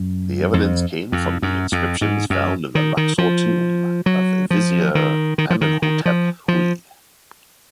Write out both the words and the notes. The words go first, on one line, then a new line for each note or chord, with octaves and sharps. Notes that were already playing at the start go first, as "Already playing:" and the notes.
The evidence came from the inscriptions found in the Luxor tomb of Vizier Amenhotep-Huy.
Already playing: F#2
F2
F2
F#2
F2
G#2
F#2
D#3
D#3
F3
F#3
F3
D#3
D#3
F3
D#3
D#3
F3
F3